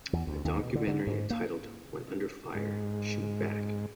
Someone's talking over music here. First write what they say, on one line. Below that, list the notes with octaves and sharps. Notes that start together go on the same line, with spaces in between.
A documentary entitled When Under Fire: Shoot Back!
E2
D2
D#2
B2
D3
D3
G#2
A#3
G#2